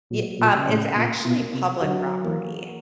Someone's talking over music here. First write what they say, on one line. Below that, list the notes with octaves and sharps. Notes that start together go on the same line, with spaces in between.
Ye um, it's actually public property.
A#2 F#3
A#2
C#3
A2
A#2 A#3
B2
A#3
C3
D3 F#3
E3 A#3